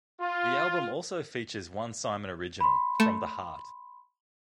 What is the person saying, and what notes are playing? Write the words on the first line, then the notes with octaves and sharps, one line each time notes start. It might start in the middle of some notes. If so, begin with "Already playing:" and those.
The album also features one Simon original, "From the Heart".
F4
B5 C6
A3 C#7 E7